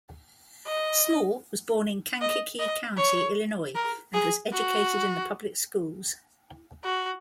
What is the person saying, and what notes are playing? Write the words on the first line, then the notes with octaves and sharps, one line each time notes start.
Small was born in Kankakee County, Illinois, and was educated in the public schools.
D#5
D#5
D#5
C#5
A#4
G#4
F#4
F#4